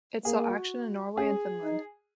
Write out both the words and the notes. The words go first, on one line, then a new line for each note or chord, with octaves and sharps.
It saw action in Norway and Finland.
A#3 G#4
F#4
C#4 G#4
D#4